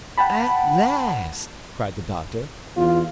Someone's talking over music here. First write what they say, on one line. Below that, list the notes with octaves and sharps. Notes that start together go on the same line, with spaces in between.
"At last!" cried the Doctor.
F#5 G5 A5 B5
E2 F4